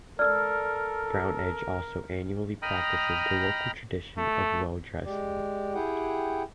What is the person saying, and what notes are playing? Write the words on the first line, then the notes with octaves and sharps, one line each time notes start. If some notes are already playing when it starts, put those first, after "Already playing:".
Brown Edge also annually practices the local tradition of well dressing.
A4 A#4 D5 E6 F6
D#5 G5 A#5 B5 D#6 F6
A3
G#3 G4 D5
E4 G4 G#4 F#5 G5